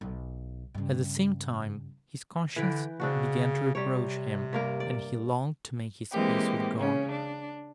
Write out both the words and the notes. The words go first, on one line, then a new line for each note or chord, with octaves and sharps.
At the same time his conscience began to reproach him, and he longed to make his peace with God.
B1
G2 C#3
D3 E3 B4 G5
C#3 C4 D4 F#4
C3 G3 C#5
G2 A#3 A#4
D5
E3 G#3 A#3 C4 G4
C#3 C#4
D4